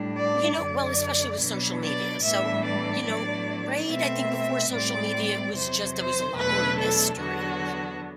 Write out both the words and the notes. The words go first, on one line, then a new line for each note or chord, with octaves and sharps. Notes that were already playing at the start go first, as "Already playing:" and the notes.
you know well, especially with social media. So, you know Right? I think before social media, it was just there was a lot more mystery
Already playing: A2 G3 D4
D5
F#2 D3 F#3 D5
B2 F#3 B3 D4
D5
A2 E3 G3 B3 D4 E5
D5
A2 F#3 B3 D4
B2 A3 C4 E5
A2 G3 C4 D5
E2 C3 F#3 C5
C5
E2 B2 F#3 A3 D4 B4
A4
E2 D3 F#3 B3 D4 F#4